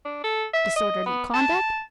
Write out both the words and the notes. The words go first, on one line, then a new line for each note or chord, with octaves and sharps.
Disorderly conduct?
D4
A4
E5
D#5
B3
A5